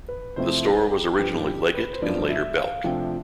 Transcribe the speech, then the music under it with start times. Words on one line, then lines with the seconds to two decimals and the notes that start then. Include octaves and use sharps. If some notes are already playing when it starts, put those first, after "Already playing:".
The store was originally Leggett and later Belk.
0.09 B4
0.36 C3 F3 A3 C4 E4 C5
0.65 B4
0.92 G4
1.19 G2 F3 B3 G4
1.46 G4
1.74 B4
1.93 C5
2.01 G2 F3 B3 D5
2.30 E5
2.57 F5
2.84 C3 F3 A3 D4 G5